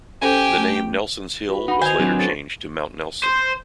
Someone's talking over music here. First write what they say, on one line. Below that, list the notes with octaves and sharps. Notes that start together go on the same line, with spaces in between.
The name 'Nelson's Hill' was later changed to Mount Nelson.
C#4 G4 A4 C5 G5 G#5
A3
F#4 B4
D#4 F#5 B5
D#3 C5 D#5 G#5 G6 G#6 F7
F#3 C4 D4 B4 F#5
C#4 A4 C5 A6
C5